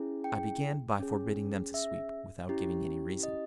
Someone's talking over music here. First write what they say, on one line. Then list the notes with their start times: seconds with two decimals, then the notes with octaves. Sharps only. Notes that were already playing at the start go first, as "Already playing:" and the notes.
I began by forbidding them to sweep, without giving any reason.
Already playing: C#4 E4 G#4
0.24 G5
1.00 C#4 G#4
1.74 E5
2.49 C#4 E4 G4
3.23 D#5